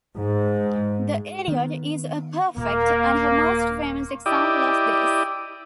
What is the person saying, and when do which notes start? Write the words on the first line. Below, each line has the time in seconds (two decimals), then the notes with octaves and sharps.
"The Idiot" is a perfect, and her most famous, example of this.
0.17 G#2
1.48 D#3 B3
2.57 D#1 A#2 A#3
4.26 E4 G4 D5 D#5